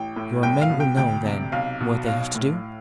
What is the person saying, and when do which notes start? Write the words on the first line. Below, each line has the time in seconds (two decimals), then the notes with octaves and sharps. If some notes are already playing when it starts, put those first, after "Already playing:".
"Your men will know, then, what they have to do?"
Already playing: A1 G5
0.16 A2
0.42 C2 G5
0.62 F5
0.70 B2
0.80 G5
0.97 D2 G5
1.25 C3
1.52 B1 F5
1.81 B2
2.07 B1 F5
2.34 A2